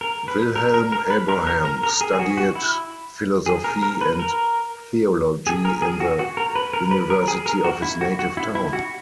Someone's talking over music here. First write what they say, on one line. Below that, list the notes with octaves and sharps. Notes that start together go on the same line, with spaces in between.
Wilhelm Abraham studied philosophy and theology in the university of his native town.
A#4
B4
A#4
A#4
A#4
B4
A#4
A#4
A#4
A#4
G#4
G#4
F#4
F#4
E4
G#4
A#4
A#4
B4
A#4
G#4
A#4
G#4
F#4
F#4
A#4
B4
A#4
B4
A#4
G#4
A#4
F#4
E4
F#4
F#4
E4
E4
F#4